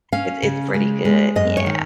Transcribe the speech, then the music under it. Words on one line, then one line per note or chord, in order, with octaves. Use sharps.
it's it's pretty good. Yeah,
C#4 F5
C#3
G#3
G#3
F#2 D#5
C#5
D#3